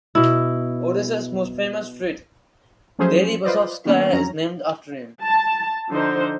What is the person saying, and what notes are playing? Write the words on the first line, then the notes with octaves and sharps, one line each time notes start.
Odessa's most famous street, Deribasovskaya, is named after him.
B2 E4
F3 F#3 A3 C#4 G#4 C5
F4 B4 C5 D5 D#5
D#3 A#3 B3 C#4
F2 F#3 C#4 A#5
A5
D3 F3 D#4 C5